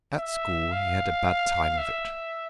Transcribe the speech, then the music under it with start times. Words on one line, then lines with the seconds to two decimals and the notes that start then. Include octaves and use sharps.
At school he had a bad time of it.
0.19 E5
0.72 F5
1.78 E5